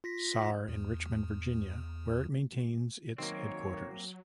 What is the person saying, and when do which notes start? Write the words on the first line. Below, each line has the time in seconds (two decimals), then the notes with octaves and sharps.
Sauer in Richmond, Virginia, where it maintains its headquarters.
0.04 F4 A#6 B6
0.68 E2
3.18 D#3 F#3 A#3 C4 C#5